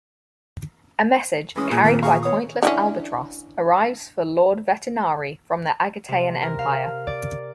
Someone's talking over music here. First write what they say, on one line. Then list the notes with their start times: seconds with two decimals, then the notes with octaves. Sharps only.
A message, carried by pointless albatross, arrives for Lord Vetinari from the Agatean Empire.
1.56 E3 G#3 C#4 D#6
1.71 A#2 G#4
1.83 F2 D#3 A#3 A#4
2.03 G#4 F5 A#5 C#6
2.23 B3 C#5 D#6
2.63 D3 E3 C#4
6.08 C3
6.42 A#4
6.59 F5
7.07 D5